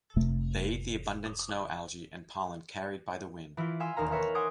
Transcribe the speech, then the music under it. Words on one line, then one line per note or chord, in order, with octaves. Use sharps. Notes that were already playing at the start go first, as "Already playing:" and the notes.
They eat the abundant snow algae and pollen carried by the wind.
F1 C3 A3
E3 E4 F4
E5 F5 G#5 C6 E6
E1 D#2 D#4 A#4 F5 A#5
A#4 B4 C#5 E5 F5
F#5 G#5 C6 D6 D#6 G#6